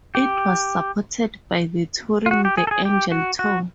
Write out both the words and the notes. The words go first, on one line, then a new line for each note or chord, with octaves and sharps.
It was supported by the Touring the Angel tour.
G4
F4
F#4
G4
G#4
A4
G#4
G4
F#4
F#4